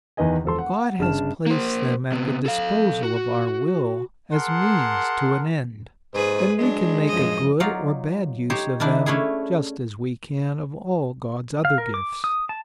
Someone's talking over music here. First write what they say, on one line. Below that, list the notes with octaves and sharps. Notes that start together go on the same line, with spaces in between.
God has placed them at the disposal of our will as means to an end, and we can make a good or bad use of them just as we can of all God's other gifts.
E2 D#3 B4 D#5 G#5
E1 F3 A4 C6
F#5
G1 C#3 D4 A5 F6 E7
A#3 C5
C3 B3
A4 F5
F#4
G#4 A#4 F#5 A5 C6
G#2 G#4 B4
F#3 G#3 D4
F#2 F3 D#5
F#3 D#4 F4 D5 F5
D#4 G4 C5 C#5
D#3 A#3 D4 E4
A3 C#4 D4 E4 G#4
F5
A#4
D6
D#6
A5